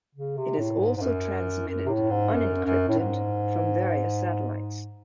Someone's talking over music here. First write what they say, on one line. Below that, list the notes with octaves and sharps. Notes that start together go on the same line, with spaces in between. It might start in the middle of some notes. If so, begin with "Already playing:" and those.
It is also transmitted unencrypted from various satellites.
C#3
C3
A2
G#2
G#2
F#2
F#2
C3
A2
G#2
F#2
F#2
A2
G#2